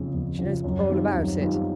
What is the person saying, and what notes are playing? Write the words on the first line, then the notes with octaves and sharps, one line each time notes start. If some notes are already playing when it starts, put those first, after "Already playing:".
She knows all about it.
Already playing: F2 C#3 F3
F2
C#3 F3
F#2
D#3 G3 C4 F4
F#2
D#3 G3 C4 F4